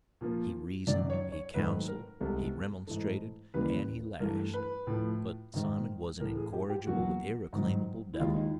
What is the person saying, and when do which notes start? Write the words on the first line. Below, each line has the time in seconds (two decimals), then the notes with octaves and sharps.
He reasoned, he counseled, he remonstrated, and he lashed; but Simon was an incorrigible, irreclaimable devil.
0.21 A#2 F3 A#3
0.87 F#2 D#3 F#3 D5
1.10 C#5
1.32 C#5
1.54 G#2 D#3 F#3 A3 B4
1.88 A#4
2.20 C2 B2 G#3 A4
2.88 G#2 E3 A3
3.54 D#2 C#3 E3 G3 A#3 B4
4.20 G2 E3 A3 A#4
4.54 B4
4.87 A2 F3 A3
5.54 G#2 D#3 G#3
6.20 A2 E3 A3 A#4
6.37 G#4
6.53 G4
6.70 G4
6.86 E2 B2 F#3 A#3 F#4
7.53 G#2 D#3 F#3
8.13 E4
8.20 D#2 D#3 G#3 F4
8.36 D#4